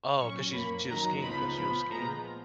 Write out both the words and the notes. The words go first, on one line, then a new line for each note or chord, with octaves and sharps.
Oh, 'cause she's she was skiing 'cause she was skiing?
A#2 F#3 C#4 C#6
F#2 F3 A#3 B5
F#2 D#3 F#3 A#5
C#2 C#3 F3 B3 D#4 B5
A#2 F3 B3 B5
A#2 F3 G#3 B3 A#5